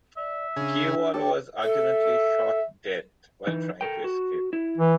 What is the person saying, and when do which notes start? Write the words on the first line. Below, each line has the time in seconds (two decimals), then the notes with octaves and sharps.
Gaywal was ultimately shot dead while trying to escape.
0.17 D5 E5
0.56 C#3 D4 G#4
1.14 G4 A4 C#5 D5
1.63 A4 E5
3.47 E3 D#4
3.81 A4 A#4 G5
4.04 F#4
4.53 E4
4.78 E3